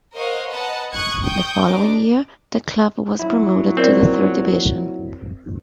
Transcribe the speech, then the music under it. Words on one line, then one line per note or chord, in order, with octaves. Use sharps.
The following year, the club was promoted to the Third Division.
A#4 C5 C#5 D#5 F5 F#5
B4 D#5 F#5 A5 A#5
C#6 D#6 F#6 G#6 C#7
G5 C#6 D#6 G6
D4 D#4 D6
A#2 F#3 E4
C4 A#4 C#5 D5